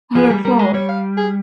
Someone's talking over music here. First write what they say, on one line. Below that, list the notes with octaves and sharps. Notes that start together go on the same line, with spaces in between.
Other flaw.
F3 G#4
G3
G3 A#4
G#3
G3 C#5
F5
G#4